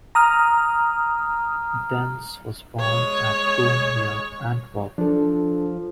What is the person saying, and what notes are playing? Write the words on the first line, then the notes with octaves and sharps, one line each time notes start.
Dens was born at Boom near Antwerp.
A#5 D#6 F6
G#3 C#5
F3 D4 A4